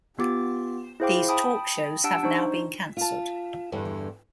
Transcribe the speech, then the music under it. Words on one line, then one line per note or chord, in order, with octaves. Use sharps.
These talkshows have now been cancelled.
B3 F4 G4 D6 A6
E4 G#4 C5 F5 G5 D6
G5 A5 B5 D#6
D4 G4 F#5 A5 E6 D7
D4 D#4 C5 C#6
F4 A5
E2 G2 D3